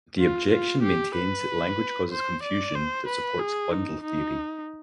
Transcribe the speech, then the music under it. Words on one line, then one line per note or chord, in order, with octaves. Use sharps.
The objection maintains that language causes confusion that supports bundle theory.
F4
F4
G4
B4
C5
D5
C5
B4
G#4
D#4
D#4